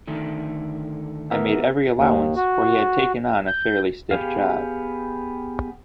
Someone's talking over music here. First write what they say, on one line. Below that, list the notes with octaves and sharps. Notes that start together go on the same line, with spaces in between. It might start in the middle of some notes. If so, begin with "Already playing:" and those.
I made every allowance, for he had taken on a fairly stiff job.
D3 D#3 A3
B3 A#4 E5
D#2
F#4
G6
B3 G4 G#4 F5